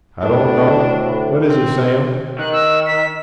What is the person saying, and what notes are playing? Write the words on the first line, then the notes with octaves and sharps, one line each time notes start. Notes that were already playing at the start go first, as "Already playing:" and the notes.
"I don't know,--what is it, Sam?"
D2 A2 D4
C4
D#3 F#6
E6
B6